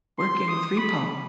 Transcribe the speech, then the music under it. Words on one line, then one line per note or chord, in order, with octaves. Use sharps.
Working with Repo!
C6
D#6
B5